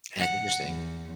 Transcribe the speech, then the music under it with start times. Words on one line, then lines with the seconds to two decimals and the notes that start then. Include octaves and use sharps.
That's interesting.
0.20 F#5
0.65 E2